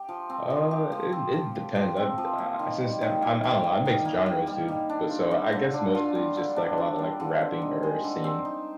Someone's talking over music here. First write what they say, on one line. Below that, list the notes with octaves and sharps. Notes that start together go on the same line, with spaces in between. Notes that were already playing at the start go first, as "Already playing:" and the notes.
Uh, it it depends, I'd uh, uh, since I'm I'm I don't know, I mix genres, dude, but so, I guess mostly just like a lotta, like, rapping, or singing,
Already playing: G4
F3
C4
F3
G4
F3
C4
F3
G4
F3
C4
F3
A#3
D#3
G3
D#3
A#3
D#3
G3
D#3
A#3
D#3
G3
D#3
D4
F4
G3
D3
D4
F4
G3
D3
D4
F4
G3
D3
C4
D#4
G#3
D3
C4
D#4